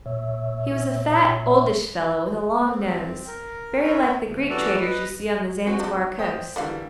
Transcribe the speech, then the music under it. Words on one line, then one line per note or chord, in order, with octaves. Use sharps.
He was a fat, oldish fellow with a long nose, very like the Greek traders you see on the Zanzibar coast.
A#2 C#5 E5
C4
A#4
A#4 C#5 E5 B5
D2
E3 G3 F#4 A4 D5
B4 D#5
C4 F#4 C5
D4 D#4
C5 G5 D#6
D3 E3 G3 A#3 F#4 F5